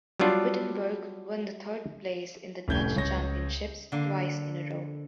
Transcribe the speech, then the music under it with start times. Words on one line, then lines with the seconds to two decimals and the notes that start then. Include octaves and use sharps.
Wittenberg won the third place in the Dutch Championships twice in a row.
0.20 F#3 G3 B3 D4 F4
2.68 F1 A2 C#4 G6 G#6 G7
2.96 C#2 C#5 A#6
3.92 D3 A#3